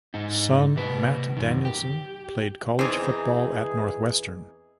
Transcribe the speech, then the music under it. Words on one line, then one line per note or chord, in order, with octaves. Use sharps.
Son Matt Danielson played college football at Northwestern.
G#2 D#4
C3 B4
F#2 D#3
G4
E2 E3 C4 D#4 G#4